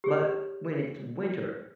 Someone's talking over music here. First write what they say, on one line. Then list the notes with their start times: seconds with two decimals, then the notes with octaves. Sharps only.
but, when it's winter,
0.04 G4 G#4 C#5